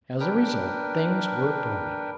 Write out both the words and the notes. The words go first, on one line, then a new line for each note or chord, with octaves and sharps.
As a result things were booming.
D4 A#4 B4 G5